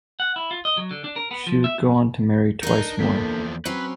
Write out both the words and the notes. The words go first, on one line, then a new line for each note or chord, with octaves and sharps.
She would go on to marry twice more.
F#5
E4
F4
D#5
F#3
D3
D4
A#4
B3
F3
E5
F2
D4 D#4 A#4
E2 F3 A#3 A4 B6
F#3 C4 C#4 B4 C5 B5